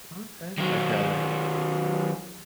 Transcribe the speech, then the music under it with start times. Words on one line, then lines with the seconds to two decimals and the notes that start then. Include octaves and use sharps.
Okay, like a
0.58 D#3 F#3